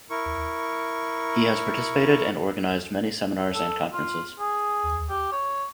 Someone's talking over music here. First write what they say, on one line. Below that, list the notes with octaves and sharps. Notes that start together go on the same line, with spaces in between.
He has participated and organised many seminars and conferences.
E4 A#4 C#6
A4
F4
G#4
G4
C#5